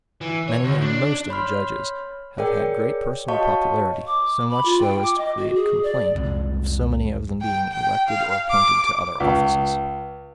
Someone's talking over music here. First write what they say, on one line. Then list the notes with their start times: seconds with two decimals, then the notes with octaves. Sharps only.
Many and most of the judges have had great personal popularity--so much so as to create complaint of so many of them being elected or appointed to other offices.
0.21 E3
0.48 C#5
0.64 D2
0.82 D4
1.29 C#5 B5 C6 F6
2.38 G#4 A#4 C#5 D5 G5
3.28 F#4 C#5 D#5 F5 A5 C#6
4.07 D6
4.50 B5
4.65 F4
4.81 G5
5.03 D6
5.18 D#5
5.37 F#4
5.56 G#4
5.83 D5
6.15 C2 F2 G#3
7.41 G5
7.72 G5
8.08 F5
8.50 D6
9.20 C#2